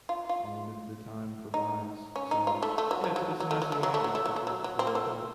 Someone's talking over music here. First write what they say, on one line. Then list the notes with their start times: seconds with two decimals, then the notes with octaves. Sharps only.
um, if the time provides. So, yeah, it's it's a nice little outlet for sure. It's a good way to put it.
0.09 F4
0.29 F4
1.54 D#4
2.16 C#4
2.31 D#4
2.47 F4
2.63 A3
2.78 A3
2.91 F#3
3.04 F3
3.16 F#3
3.40 F#3
3.51 A3
3.62 F#3
3.72 A3
3.83 F#3
3.94 A3
4.04 F#3
4.15 A3
4.26 F#3
4.36 A3
4.47 F#3
4.64 F#3
4.79 C4
4.87 A#3
4.95 A3